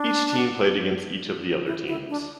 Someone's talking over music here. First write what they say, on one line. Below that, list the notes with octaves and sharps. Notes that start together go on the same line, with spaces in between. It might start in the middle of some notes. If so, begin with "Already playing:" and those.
Each team played against each of the other teams.
Already playing: D4
E4
E4
D4